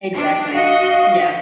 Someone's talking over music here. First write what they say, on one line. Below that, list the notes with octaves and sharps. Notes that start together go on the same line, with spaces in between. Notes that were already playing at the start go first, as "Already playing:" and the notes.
Exactly, yeah.
D4
F#4 D#5 F5